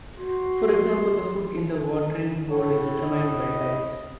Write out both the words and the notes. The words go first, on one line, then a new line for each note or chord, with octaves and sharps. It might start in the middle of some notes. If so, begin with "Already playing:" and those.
For example the food in the watering hole is determined by dice.
F#4 C6
A2 C#5
D#5